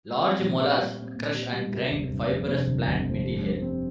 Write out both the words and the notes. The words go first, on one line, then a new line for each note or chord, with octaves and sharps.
Large molars crush and grind fibrous plant material.
C4
A#2
G4
G3
C4
A#2
G4
G3
C3
G1
G1
F2
C3
G1
G1
F2
G3
F2
C4